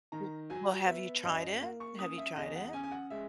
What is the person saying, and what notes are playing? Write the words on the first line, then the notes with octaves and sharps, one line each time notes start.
W well, have you tried it? Have you tried it?
D#3 A#5
F#3 G#5
B3 E5
F#2 D#5
A#3
C#6
C#4 D#6
E5
E2 D#5
F#5
C#4 G#5
G#5
F#5
G#3 E5